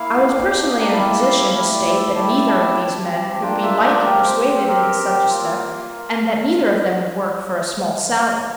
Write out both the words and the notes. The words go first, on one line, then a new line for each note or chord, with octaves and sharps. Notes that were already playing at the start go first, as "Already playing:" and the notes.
I was personally in a position to state that neither of these men could be lightly persuaded into such a step, and that neither of them would work for a small salary.
Already playing: A#3 E4 F5
A#3 D4 G4
A#5
A#3 E4 G4 A5
F5
A3 E4 G4
D5
D5
E5
A3 E4 G4 A5
A5
C4 G4
A5
A#3 D4 F4 G5
E5
D5
C4 G4 A#4
C5
C4 G4 A#4
A#3 F4